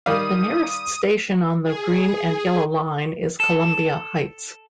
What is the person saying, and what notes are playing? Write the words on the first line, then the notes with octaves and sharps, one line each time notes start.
The nearest station on the Green and Yellow Line is Columbia Heights.
D#3 G3 F5 D#6
G#4
A4